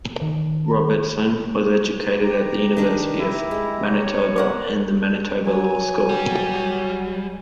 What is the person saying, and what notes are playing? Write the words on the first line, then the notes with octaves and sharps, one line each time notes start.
Robertson was educated at the University of Manitoba and the Manitoba Law School.
D#3
G4 A#5
D#3 D4
E4
G#3
C#5
B3 A#4 C5 F#5
F#3 G#5
G3